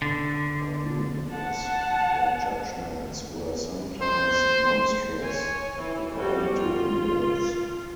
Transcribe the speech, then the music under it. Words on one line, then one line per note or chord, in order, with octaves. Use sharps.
By doing this their judgements were sometimes "monstrous" according to Ingalls.
D3
F#5 A5
C5
C#5 G#5
E3
G3 F#4
F4